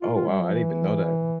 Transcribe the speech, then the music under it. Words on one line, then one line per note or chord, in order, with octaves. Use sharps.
Oh, wow. I didn't even know that.
F4
F4
G3
F3
E3